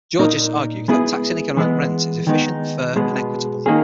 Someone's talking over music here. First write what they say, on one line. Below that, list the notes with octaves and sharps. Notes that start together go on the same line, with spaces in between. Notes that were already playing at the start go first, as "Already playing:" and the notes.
Georgists argue that taxing economic rent is efficient, fair, and equitable.
A#2 A#3 D#4 A#4
G#3 B3 E4 G#4 B4
E3 G#3 B3
D#3 G#3 B3 D#4
B2 G#3 B3
D#3 A#3 C#4 G#4